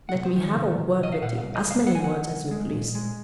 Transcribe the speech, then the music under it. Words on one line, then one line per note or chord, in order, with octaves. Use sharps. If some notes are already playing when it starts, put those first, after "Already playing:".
Let me have a word with you--as many words as you please.
F#5
C3
C5
D#3
C#5
C3
C3
C3 D#5
F5
A#2 F#5
F5
C2
D#5
C2
F5
F3 F#5
G#5
F3 F#5
C2
G#3
A#2
G#3